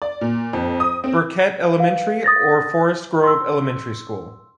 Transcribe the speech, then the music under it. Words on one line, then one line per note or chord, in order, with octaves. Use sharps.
Burkett Elementary or Forest Grove Elementary School.
D5
A#2
F2
D#6
C4
B4 F5
D#6 A6 A#6
C6 E6